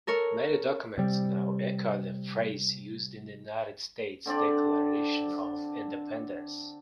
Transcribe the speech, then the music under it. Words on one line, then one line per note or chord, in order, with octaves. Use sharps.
Many documents now echo the phrase used in the United States Declaration of Independence.
A4 A#4 C#5
C3 G3
D3 C4 D4 D5